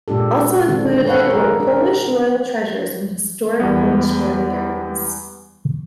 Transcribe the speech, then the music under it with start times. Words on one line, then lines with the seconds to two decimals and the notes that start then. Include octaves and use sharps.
Also included were Polish royal treasures and historic Polish family heirlooms.
0.08 A#2 G#3 D4 G4 A4
0.68 D3 D#3 G#3 C4 D4
1.06 A4 B4 C#5 F5 F#5
1.30 G#4 A#4
1.60 D4 A#4
3.60 E2 G3 B3